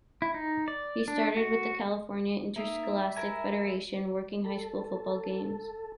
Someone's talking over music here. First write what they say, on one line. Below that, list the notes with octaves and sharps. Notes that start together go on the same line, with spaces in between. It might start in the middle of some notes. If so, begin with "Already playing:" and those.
He started with the California Interscholastic Federation, working high school football games.
E4
D#4
D5
D4
F#4
A#3 D#4 E5
E4 A#4 G#5
A4